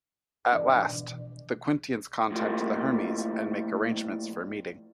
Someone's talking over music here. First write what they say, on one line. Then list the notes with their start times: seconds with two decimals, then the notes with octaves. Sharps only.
At last, the Quintans contact the "Hermes" and make arrangements for a meeting.
0.53 G#2 E3 D4 D5
0.86 B2 E3
2.31 A2 F3 G3 A3 A#3